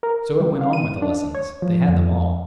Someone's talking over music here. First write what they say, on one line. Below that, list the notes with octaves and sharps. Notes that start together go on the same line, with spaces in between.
So it went on with the lessons; they had them all.
A#4
G3
F5
D#7
D4
C#5
F3
F2